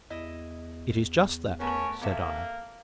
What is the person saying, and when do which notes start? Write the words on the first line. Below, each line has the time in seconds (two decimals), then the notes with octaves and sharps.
"It is just that," said I.
0.10 E2 E4 D#5
1.60 A3 B3 C#4 A#4
2.01 C3 A#3 A4 E5